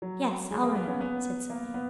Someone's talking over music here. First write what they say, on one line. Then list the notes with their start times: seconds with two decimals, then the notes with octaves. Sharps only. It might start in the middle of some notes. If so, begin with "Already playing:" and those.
"Yes, I'll remember," said Sylvie.
0.02 F#3
0.51 G#3
0.63 A#3
0.75 B3
0.88 C#4
1.01 B3
1.50 A#3
1.74 B3